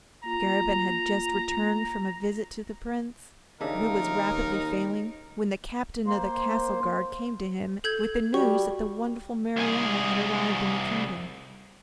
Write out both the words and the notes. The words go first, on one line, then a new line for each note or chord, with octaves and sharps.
Garabin had just returned from a visit to the Prince, who was rapidly failing, when the Captain of the Castle Guard came to him with the news that the wonderful Marianna had arrived in the kingdom.
A#3 F4 A#5
D#2 C#3 D4 D#4 A#4 E5
A#3 C5
A4 G6 G#6
G3 F#4 G4 C#6
C2 G#4